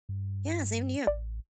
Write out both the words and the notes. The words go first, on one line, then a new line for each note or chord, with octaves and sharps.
Yeah, same to you.
G2
A1 D5